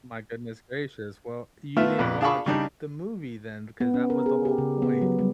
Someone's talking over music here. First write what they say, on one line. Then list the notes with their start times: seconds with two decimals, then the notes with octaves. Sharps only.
My goodness gracious. Well, you didn't watch the movie then, because that was the whole point.
1.77 A3 B3 F4 E5 F6
1.99 A#1 F2 B4
2.21 D4 G#4 F5 A5 B5 C#6
2.46 C#3 G3 D4 D#4
3.80 B3
3.94 C#4
4.10 A#4
4.26 G#4
4.45 G4
4.58 C#3
4.82 B3
5.02 F#3
5.19 G3